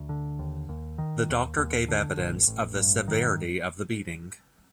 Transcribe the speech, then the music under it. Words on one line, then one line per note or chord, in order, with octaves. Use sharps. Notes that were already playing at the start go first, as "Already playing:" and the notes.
The doctor gave evidence of the severity of the beating.
Already playing: D2
D3
D#2
D#2
D#3
D#2
D#2
D3
A1
A1
G2
D#3